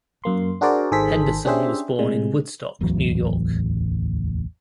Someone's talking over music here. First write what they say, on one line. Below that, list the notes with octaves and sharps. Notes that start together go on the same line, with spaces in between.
Henderson was born in Woodstock, New York.
F#2 A#3 C6
D4 F#4 G#4 A#4 C5 D5
G#1 D#3 G#4 A4 C5 B6
C#4 D4 G4 G#4 C5 E5
A2 C3 G#3
D1 A1 E2 F#3